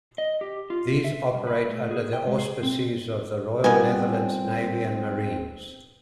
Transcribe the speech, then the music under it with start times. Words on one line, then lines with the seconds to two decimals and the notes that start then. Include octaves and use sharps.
These operate under the auspices of the Royal Netherlands Navy and Marines.
0.18 D#5
0.41 G4
0.70 F4
1.04 E5
1.35 G2
1.47 B4
1.69 A3
1.91 G#4
2.13 G5
2.27 G#3
2.38 G#4
2.63 C4
3.64 D#3 G3 B3 C4 F4 G4 G#5